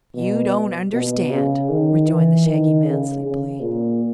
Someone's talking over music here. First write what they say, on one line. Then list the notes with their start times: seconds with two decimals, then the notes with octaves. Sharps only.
"You don't understand," rejoined the Shaggy Man, sleepily.
0.15 B2
0.93 B2
1.31 C#3
1.69 D#3
2.07 E3
2.46 D#3
2.85 C#3
3.23 C#3
3.61 A#2